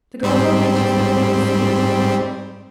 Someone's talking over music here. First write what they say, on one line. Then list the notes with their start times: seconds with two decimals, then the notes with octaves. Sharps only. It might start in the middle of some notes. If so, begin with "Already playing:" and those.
The girls all think she is perfectly sweet.
0.23 G#2 G3 C4